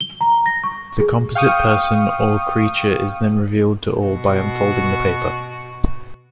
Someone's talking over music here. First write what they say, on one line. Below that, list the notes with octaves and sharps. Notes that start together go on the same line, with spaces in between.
The composite person or creature is then revealed to all by unfolding the paper.
G7
A#5
A#6
C#6
G#4
F5 G5 C#6 D#6
B2 F#4